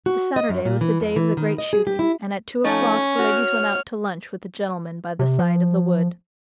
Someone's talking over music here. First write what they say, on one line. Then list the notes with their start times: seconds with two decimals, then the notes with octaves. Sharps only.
The Saturday was the day of the great shooting and at two o'clock the ladies went out to lunch with the gentlemen by the side of the wood.
0.06 F#4
0.36 D#5
0.49 F#2
0.65 A#2
0.81 E3
1.01 F2
1.16 E3
1.37 D#3
1.58 D#5
1.73 G#4
1.87 G4
1.99 E4
2.64 F3 A3 C#4 D#4
3.19 F#4 C#5 F6
5.19 C3
5.39 F3